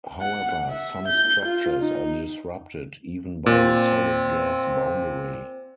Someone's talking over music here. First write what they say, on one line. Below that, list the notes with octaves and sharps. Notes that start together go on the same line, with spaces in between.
However, some structures are disrupted even by the solid-gas boundary.
F#5
E5
G6
F4
D#4
A#2 C4